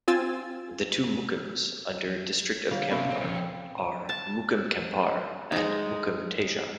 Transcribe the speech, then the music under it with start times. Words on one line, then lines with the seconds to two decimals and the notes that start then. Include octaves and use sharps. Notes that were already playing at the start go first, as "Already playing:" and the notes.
The two Mukims under District of Kampar are Mukim Kampar and Mukim Teja.
0.08 C4 F4 G#5 E6 A6
2.71 D3 G3 F4 C#5 F5
2.91 C3 A#3 C#4 A4 E5 B5
3.10 C#2 A#2 C4 C#4
3.24 F3
3.36 G5
4.09 A5
5.52 G#3 D#4